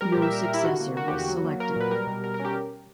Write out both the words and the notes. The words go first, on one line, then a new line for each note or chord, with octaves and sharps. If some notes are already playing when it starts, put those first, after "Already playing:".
No successor was selected.
G3 A#4
A#2 G4
E5
A#2 A#4
A#4
A#2
E4
D3 F#4
A#3
A#3 F#4
E2 G4
F#4
F#3
A#3
A#3 A#4
A#4
A#2 B4
G3 A#4
B2
B2 A#4
A#4
C#4
G4